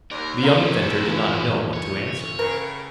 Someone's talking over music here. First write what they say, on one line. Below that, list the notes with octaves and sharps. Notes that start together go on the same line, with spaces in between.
The young inventor did not know what to answer.
D#2 A#4 D5
C#4 E4 C5 F5 A#5
G1 A#2 E3
C#5
A2 C#3 A#4